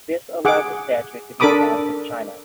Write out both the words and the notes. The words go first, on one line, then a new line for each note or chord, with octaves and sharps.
This allowed the statue to be cast in China.
G#4 F#5 D6
D4 A4 A#4 B5 D6 D#6